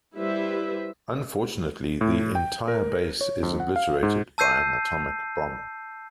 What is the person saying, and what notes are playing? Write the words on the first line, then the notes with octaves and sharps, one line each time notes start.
Unfortunately, the entire base is obliterated by an atomic bomb.
G3 E4 B4 C5 E5
A2
G5
A#4
C#5
F2
F#5
F5
G#2
A5 E6 G6 C7 D#7